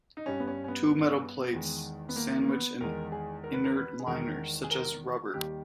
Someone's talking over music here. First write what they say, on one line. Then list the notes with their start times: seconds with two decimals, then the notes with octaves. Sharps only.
Two metal plates sandwich an inert liner, such as rubber.
0.17 D#4
0.26 G2 G3 C#4
0.40 B3
0.48 C#4
0.64 C#4
0.68 B3
1.53 E2 D#3 G#3
2.09 B3
2.16 A#3
2.42 A#3
2.48 B3
2.81 E2 D#3 G#3 A#4
3.12 G#4
3.44 A#4
3.53 B4
3.64 A#4
3.76 B4
3.99 G#4
4.06 E2 D#3 G#3 A#4
4.64 G#4
4.71 A#4
5.33 D#2 D#3 G3 G4